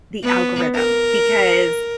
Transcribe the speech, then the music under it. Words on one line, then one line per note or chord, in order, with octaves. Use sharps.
the algorithm, because
B3
A#4